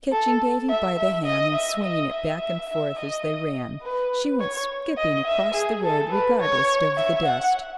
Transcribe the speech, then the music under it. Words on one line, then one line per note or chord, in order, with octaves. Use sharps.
Catching Davy by the hand, and swinging it back and forth as they ran, she went skipping across the road regardless of the dust.
A4
E5
E5
D#5
E5
D#5
E5
E5
E5
D#5
B4
C#5
D#5
E5
G#4
A4
B4
C#5
E5
F#5